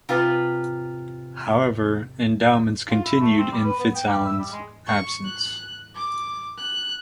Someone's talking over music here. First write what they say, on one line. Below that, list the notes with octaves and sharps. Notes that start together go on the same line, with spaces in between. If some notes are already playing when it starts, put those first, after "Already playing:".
However, endowments continued in FitzAlan's absence.
C3 F4 B4
F4
E4
A3
C4
G3
B4
B3
G5
G3
E5
G3
G#3
C#6
F#6
D6
F#6